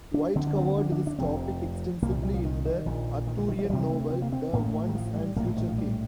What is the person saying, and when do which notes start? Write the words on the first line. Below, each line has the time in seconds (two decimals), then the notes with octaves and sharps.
White covered this topic extensively in the Arthurian novel "The Once and Future King".
0.14 D4
0.35 D2 D3 C4
0.47 D4
0.57 C4
0.78 D4
0.92 D4
1.07 D4
1.19 F1 F2 C3 C4
2.02 C2 A#3
2.06 A#2
2.12 G3
2.23 G3
2.34 F3
2.45 D#3
2.65 D#3
2.86 A#1 A#2
3.27 D#3
3.38 D3
3.48 D#3
3.59 G3
3.65 F3
3.70 D2 C3 G3
3.90 A3
4.10 C4
4.22 A#3
4.32 C4
4.53 A1 A2 A#3
4.74 A3
4.88 D#3
4.95 F3
5.15 G3
5.36 A#1 A2 A#3
5.46 D3
5.57 D#3
5.68 F3
5.78 G3